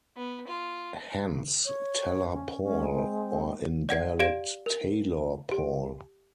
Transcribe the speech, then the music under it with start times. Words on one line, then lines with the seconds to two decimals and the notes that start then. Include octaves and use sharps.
Hence "teller Paul" or in dialect "tailor Paul".
0.17 B3
0.48 F4
1.65 C#5
2.32 C#4
2.63 G#3 C#4
2.93 C4
3.89 D5 F#5 G#6 C7
4.19 G4 D5 F5 G#6 D7 E7
4.66 A#4
5.51 G4